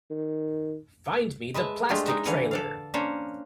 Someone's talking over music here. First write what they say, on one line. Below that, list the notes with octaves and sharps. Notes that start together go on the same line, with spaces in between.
Find me the Plastic trailer.
D#3
G#3 B4 E5 A5
G#3 A3 D4 F4 G4
G#3 D#4 E5
D3 E3 F5 F#5 G#5
A4 D5 F5
A#3 C#4 D4 C5 C#5